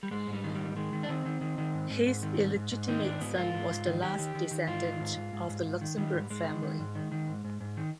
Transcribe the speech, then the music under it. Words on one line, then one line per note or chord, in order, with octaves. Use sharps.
His illegitimate son was the last descendant of the Luxembourg family.
G3
G#2 G#3
G#2
G3
D#3
G3
G#2
D#3 G#3
D#3
D4
D#3 C4
D#3
D#3
D#3
G#2
G#2
G#2
D#3
G#2
G#2
G#2
D#3 D#4
G#2 D4
G#2 B3
G#2 F4
G#2
G#2
D#3
D#3 G4
D#3
D#3
D#3
G#2 F4
D#3
G#2
G#2
G#2
G#2
G#2
D#3
D#3 G3
G#2
G#2 G#3
D#3
D#3
G#2
D#3
D#3
G#2
G#2
G#2
D#3